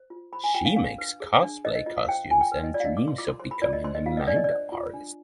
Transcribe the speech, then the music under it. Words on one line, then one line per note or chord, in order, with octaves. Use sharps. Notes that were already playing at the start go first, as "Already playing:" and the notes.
She makes cosplay costumes and dreams of becoming a manga artist.
Already playing: C5
F4
C5 B5
G#5
F4 G5
F5
D4 F5
B4
G#4
D4
C5 D#5
D#5
F4 D#5
F5
C5 G5
F4 G#5
G5
B4
D#5
F4 D5
F5
D#5
B4 D6
C6
F4 D6
C6
C5 C6
B5
F4 D5
D#5
C5 C6
D#5
F4 F5
D#5
D4 D5
D#5
D5
C5
F4
D4